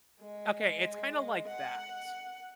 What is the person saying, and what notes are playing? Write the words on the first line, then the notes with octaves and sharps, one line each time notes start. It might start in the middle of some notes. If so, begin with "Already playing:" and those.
Okay, it's kinda like that.
G#3
F#5